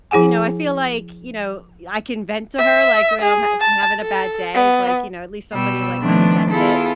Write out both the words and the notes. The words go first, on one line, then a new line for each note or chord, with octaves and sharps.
you know, I feel like, you know, I can vent to her, like, when I'm hav I'm having a bad day. It's like, you know, at least somebody, like, kinda gets it.
F3 E4 G#4 F#5 G#5
E5
G#4
A5
A4
B3
B2 G3 E6
D#3 F3 A3 B3 C4 D4
B3 E4 F4 G#4 A4